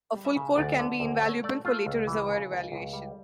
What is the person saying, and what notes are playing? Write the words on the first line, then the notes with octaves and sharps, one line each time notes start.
A full core can be invaluable for later reservoir evaluation.
G3
E5
C#3
D2 D5
D3
D2
A3 C#5
A3 D5
A3 F4
C#2
E3
C#3
C#2
C#2
G3